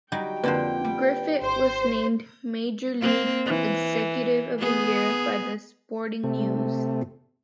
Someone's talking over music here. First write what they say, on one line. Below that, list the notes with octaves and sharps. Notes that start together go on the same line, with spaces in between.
Griffith was named Major League Executive of the Year by The Sporting News.
F#3 G3 D#4 G5
F2 D3 A#3 B4 C5 D5
G3
G#1 C5
A#3 C4
E3
B3 G#4
C3 A3